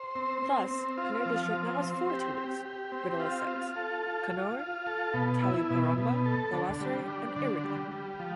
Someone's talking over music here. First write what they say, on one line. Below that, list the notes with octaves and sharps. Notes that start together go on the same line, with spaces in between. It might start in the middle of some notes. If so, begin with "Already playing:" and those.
Thus Kannur District now has four taluks, videlicet, Kannur, Taliparamba, Thalassery and Iritty.
Already playing: C5
C4
C4
C4
F4
F3
C4
C4
G4
G4
G4
C4
F4
F4
A4
F4
F4
F4
A4
B2
E4
B2
B2
A4
D3
G3
D4
D3
G3
G3
F3